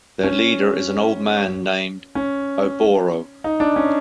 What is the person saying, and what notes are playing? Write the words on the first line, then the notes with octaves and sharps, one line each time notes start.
Their leader is an old man named Oboro.
C#4
C#4
D#4
D4
C#4